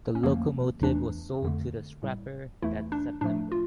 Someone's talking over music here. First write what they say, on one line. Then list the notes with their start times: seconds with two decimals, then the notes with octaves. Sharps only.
The locomotive was sold to the scrapper that September.
0.15 C#4
0.23 F2 D3 F3 A3 A#3
0.83 E2 E3 A3 D4
1.43 F2 D3 A3
2.03 A2 G3
2.62 E2 E3 A3 E4
2.92 D4
3.21 A2 F3 A3 D4
3.52 F4